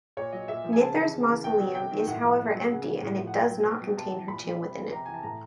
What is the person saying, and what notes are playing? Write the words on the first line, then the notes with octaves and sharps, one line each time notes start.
Nithar's mausoleum is however empty and it does not contain her tomb within it.
A#2 C#5
F#3 D#5
A#2 E5
F3
G#5
C#3 A5
E3
C#3
E3
B2 G5
F#3
C3 G5
D#3 F#3
A2 F#5
F3
B2
F#3
C#3 F#5
E3
A2
F3
F#5
B2 G5
F#3
B2
F#3
C3 A5
E3
A#2 B5
F3
C3
F3
C3 A#5
E3 G#5
A5
A2 A#5